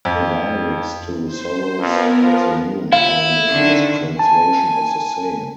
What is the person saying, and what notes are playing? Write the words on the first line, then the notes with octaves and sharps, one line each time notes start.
The lyrics to "Sorrows of the Moon" are an English translation of the same.
F2
C5
F2 B3 A#4
F3
E4 F4
D3 D#3
G#5 A5